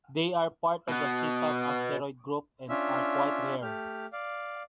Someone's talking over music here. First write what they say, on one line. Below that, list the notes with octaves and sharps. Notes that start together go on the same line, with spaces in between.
They are part of the C-type asteroid group and are quite rare.
B2 B3
C#4 D4 F4 E5
A3 G4 F6
D5 F5